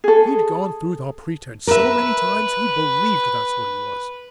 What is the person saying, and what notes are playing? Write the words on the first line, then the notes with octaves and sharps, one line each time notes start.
He'd gone through the pretence so many times he believed that's what he was.
G#4 A4
A#4 B4 E5